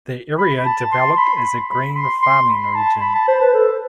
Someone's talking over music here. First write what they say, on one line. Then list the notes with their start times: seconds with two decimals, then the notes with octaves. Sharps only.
The area developed as a grain farming region.
0.39 B5
0.65 A5
0.92 C6
1.12 C6
1.17 B5
1.70 B5
1.91 B5
1.96 C6
2.22 C6
2.49 B5
2.71 B5
2.75 A5
3.01 B5
3.15 A5
3.28 C5
3.41 B4
3.54 A4